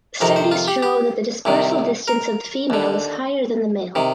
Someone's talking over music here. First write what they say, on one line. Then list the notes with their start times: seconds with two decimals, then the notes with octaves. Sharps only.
Studies show that the dispersal distance of the female is higher than the male.
0.21 F2 C3 D#3 A#4
0.36 C5
0.52 F4
0.68 G4
0.82 G4
1.45 C2 C3 D#3
2.08 A#4
2.70 D#2 D3
3.95 C3 D#3